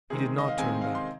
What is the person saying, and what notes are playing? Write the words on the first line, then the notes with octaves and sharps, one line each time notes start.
He did not turn back.
C3 D#3 G#3 C4 G#4
D#5
F5
C3 D#3 G#3 C4 G#5
F5
C6